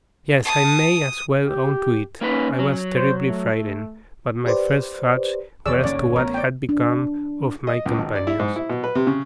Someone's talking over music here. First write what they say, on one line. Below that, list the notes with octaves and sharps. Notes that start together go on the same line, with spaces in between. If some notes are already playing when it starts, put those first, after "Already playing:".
Yes, I may as well own to it: I was terribly frightened, but my first thoughts were as to what had become of my companions.
A5 D#6
G4
A#3 C#4 D#4 B4
F#3
C5
A3
G4 B4 C5 D5
D#1 E2 B2 G#4 C#5 D5 E6
G#1 D#2 D3 C#4 D5
A1 B3 A#4
D5 G5
D4
D#5
C#2
G#1
D5
E4
G#2
E4
B2
B4
C3
C#3